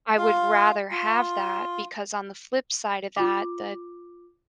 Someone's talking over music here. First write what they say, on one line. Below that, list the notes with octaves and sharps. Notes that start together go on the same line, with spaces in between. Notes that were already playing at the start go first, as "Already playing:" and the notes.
I would rather have that, because on the flip side of that, the
F4 F5
F4
F4 D6